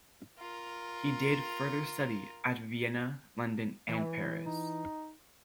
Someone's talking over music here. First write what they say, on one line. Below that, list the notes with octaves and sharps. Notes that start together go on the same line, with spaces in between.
He did further study at Vienna, London and Paris.
F4 A#4
E3
D#4